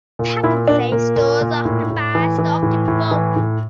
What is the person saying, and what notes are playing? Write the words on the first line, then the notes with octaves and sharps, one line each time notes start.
Pak'nSave stores often buys stock in bulk.
A#2
A#2 E4
A#2 D4
A#2 A#3
A#2
A#2
A2
A2
E3
E3
A2
A2
E3
A2